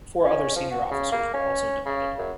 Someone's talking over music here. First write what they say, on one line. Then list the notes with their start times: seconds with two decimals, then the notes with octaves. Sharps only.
Four other senior officers were also demoted.
0.25 C#4
0.56 F3
0.71 F#4
0.91 C#3
1.12 A#3
1.34 C#4
1.86 C#3
2.18 F#2